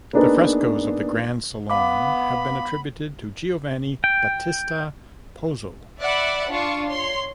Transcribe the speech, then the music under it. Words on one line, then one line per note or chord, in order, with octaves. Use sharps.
The frescoes of the Grand Salon have been attributed to Giovanni Battista Pozzo.
A#3 B3 D4 D#4 G#4 B4
B3 F5 B5 D6
G5
D5 E5 F#5 B5
D4 F4 C#6
C#5 C6